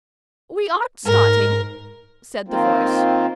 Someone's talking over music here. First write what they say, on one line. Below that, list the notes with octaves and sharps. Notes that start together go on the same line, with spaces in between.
"We aren't starting," said the voice.
G#2 A#4
D#3 A#3 C4 F4